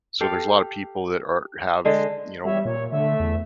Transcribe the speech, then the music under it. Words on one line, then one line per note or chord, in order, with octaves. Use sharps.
So, there's a lotta people that are have you know,
G4 A4 F5
D3 G#3 D#5
E2 G3 C#5 E5
A#2 C#5
D3 A3 E5
E2